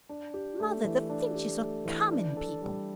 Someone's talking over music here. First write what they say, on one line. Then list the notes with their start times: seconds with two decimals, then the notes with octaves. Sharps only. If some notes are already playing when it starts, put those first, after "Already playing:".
"Mother!--the Finches are common people."
0.09 D4
0.34 G4
0.60 A3
0.85 E3
1.10 D4
1.35 G4
1.61 A3
1.85 E3
2.12 D4
2.37 A4
2.62 G3